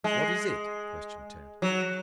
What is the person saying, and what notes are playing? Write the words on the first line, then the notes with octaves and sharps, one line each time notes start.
"What is it?" questioned Tad.
G#3
F#3